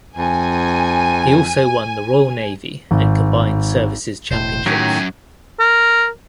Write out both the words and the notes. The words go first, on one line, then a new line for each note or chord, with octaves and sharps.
He also won the Royal Navy and Combined Services championships.
F2 G#5
G#1
E1 A2 C5
F#2 A2 D#3 F#3 G4 G#5
A#4